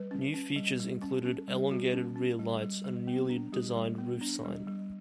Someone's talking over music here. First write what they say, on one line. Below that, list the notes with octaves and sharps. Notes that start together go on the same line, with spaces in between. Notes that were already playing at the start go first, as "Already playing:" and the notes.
New features included elongated rear lights and a newly designed roof sign.
Already playing: G3 B4
C#4
C#4
G3
G3
C#4
C#4
G3
G3 F#4
C#4
C#4
G3
G3
G3
B3
D4
G3 G4
G3
B3
D4
G3
G3